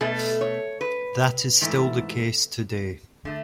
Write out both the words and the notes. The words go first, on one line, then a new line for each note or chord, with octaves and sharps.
That is still the case today.
B2 A3 A4
C#5
B4
G#2 E3 A3
D3 A3